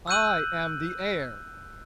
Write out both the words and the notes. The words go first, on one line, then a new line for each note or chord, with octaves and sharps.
"I am the heir."
E6 F#6 G6 D#7 F#7